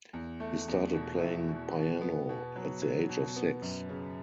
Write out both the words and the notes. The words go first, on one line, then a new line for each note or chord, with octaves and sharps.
He started playing piano at the age of six.
E2
A3
E2
B2
E4
B2
B2
B3
B2
F#3
F#3
B2
B3
F#2
C#3